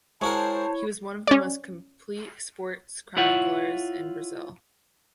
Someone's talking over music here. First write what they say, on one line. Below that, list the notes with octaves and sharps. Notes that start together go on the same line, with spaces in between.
He was one of the most complete sports chroniclers in Brazil.
G#3 E4 F#4 A#4 C5 C#5 A5
C#4 D5
E4 F4 C#5 F#5